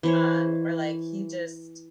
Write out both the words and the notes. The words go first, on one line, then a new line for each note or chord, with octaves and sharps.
um, or, like, he just
E3 C5 C#5